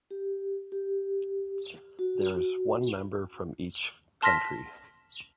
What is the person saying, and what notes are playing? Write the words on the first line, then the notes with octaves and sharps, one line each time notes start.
There is one member from each country.
G4
G4
F#4
A5 C6 F6 A#6 B6